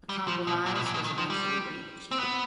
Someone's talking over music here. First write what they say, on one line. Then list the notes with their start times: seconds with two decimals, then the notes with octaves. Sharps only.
A compromise was eventually reached.
0.09 G3
0.28 F3
0.47 B2
0.66 A#2
0.75 B2
0.86 A#2
0.94 B2
1.04 D#3
1.18 F3
1.30 G3
2.11 C4
2.19 B3